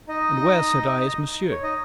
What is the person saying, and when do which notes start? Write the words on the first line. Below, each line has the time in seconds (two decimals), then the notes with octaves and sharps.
"And where," said I, "is monsieur?"
0.08 D#4 D#5
1.51 C#5
1.63 D#4 D#5